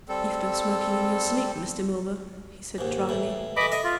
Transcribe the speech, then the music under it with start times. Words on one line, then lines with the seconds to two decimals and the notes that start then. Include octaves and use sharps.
"You've been smoking in your sleep, Mr. Milburgh," he said dryly.
0.09 G3 C4 A4
2.78 D#2 G#2
3.09 E2 A2
3.57 E3 A3 D#5 B5 D6
3.72 A4 D#5 E5
3.84 F4